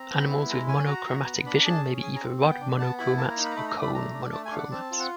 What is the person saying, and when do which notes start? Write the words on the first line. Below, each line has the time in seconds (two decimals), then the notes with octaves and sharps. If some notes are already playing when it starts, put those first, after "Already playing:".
Animals with monochromatic vision may be either rod monochromats or cone monochromats.
Already playing: C4 A#5
0.11 B3
0.29 E4
0.49 G#3 A#5
0.68 C#4 G#5
0.87 F#4 A#5
1.07 F#4
1.26 B3
1.46 D4 B5
1.56 A#5
1.65 G#4 A5
1.83 C#4
2.02 G#4 G#5
2.16 A#5
2.22 C4
2.41 B3 G5
2.61 D4
2.79 B3 A5
2.99 E4 B5
3.18 A#3 A5
3.30 A#5
3.37 D#4
3.44 B5
3.51 A#5
3.56 A3 B5
3.69 A#5
3.76 D4
3.82 B5
3.95 A3 A#5
4.14 D4
4.33 A3 A5
4.46 G#5
4.52 D4 F5
4.58 F#5
4.72 C4 A5
4.91 F4
5.00 F#5